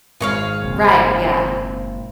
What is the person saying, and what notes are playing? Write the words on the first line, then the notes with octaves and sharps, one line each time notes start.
Right, yeah.
G#1 G#4 C#5 F5
F#1 A#2 C4